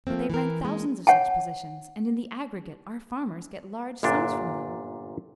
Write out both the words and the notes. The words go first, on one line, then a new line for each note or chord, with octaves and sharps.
"But they rent thousands of such positions, and in the aggregate our farmers get large sums from them."
F3 A3 A#3 C4
E3 A#4
G#3 A#3
C#5 F#5 G#5 A5
G1 F#2 A#2 D4